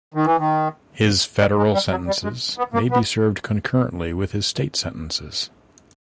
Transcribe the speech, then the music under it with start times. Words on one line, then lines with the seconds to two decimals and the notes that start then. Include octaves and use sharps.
His federal sentences may be served concurrently with his state sentences.
0.14 D#3
0.25 E3
0.38 D#3
1.40 G3
1.57 G#3
1.73 G3
1.90 F#3
2.07 G3
2.23 G#3
2.58 B3
2.74 A#3
2.90 B3